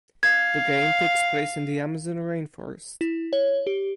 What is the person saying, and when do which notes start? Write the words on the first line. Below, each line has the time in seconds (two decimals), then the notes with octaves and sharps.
The game takes place in the Amazon rainforest.
0.23 F5 G#6
3.01 E4
3.33 C#5
3.67 G4